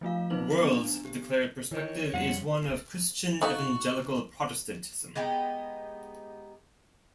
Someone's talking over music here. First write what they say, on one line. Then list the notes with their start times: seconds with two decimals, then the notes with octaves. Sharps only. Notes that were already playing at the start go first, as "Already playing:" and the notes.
"World"'s declared perspective is one of Christian evangelical Protestantism.
0.01 F3 A3 F4 F5
0.30 E3 F#3 C4 D#4 B4 F#7
0.60 B3 D4
1.05 G4
1.71 D#3 E3 C#5
2.13 F2 G3 F#5
3.41 A3 D#4 F#4 F5
5.15 G#3 B3 D#4 G4